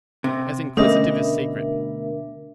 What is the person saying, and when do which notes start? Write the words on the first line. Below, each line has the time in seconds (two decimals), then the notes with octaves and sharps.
As inquisitive as secret.'
0.24 C3
0.77 D2 B2 A3 C#4 D4 A#4 D#5 E5